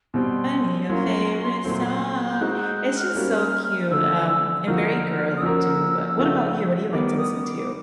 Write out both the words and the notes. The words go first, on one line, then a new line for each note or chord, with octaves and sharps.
me your favorite song." It's just so cute, um, and very girly too, but what about you? What do you like to listen to?
B2 G3 C4 C6
F#3 A#3 C#4 F4 C6
A#2 F#3 A3 C4
G6
G#3 C4 D#4 F#4 F#6
G6
F#6
F6
G3 A#3 C#4
D3 F3 A3 E6
E6
D3 F3 A#3 D#4 F#4 F6
D#6
F3 A#3 C#4 F#4 A#4 E6
C#3 F3 A3 D4 F#4
D#3 G3 B3 D6
D6
D#6
D6